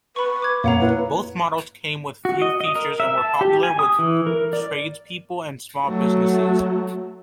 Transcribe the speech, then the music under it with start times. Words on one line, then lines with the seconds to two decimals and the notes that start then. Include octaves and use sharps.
Both models came with few features and were popular with tradespeople and small businesses.
0.16 B4 B5 C#6
0.42 D6 G#6
0.64 F2 A#2 A#3 C#5 F5 F#5 A#5
0.80 A#3 E4 B4
2.25 F#4
2.42 D#5
2.60 D#5
2.75 A#4
3.00 E5
3.18 A5
3.41 G4
3.63 G#5
3.79 D#6
3.99 E3
4.27 A#4
4.53 D5
5.85 F#3 A3